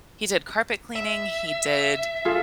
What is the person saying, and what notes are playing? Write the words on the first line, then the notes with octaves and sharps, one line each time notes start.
he's a carpet cleaning, he did,
E5
F4 G#4 A4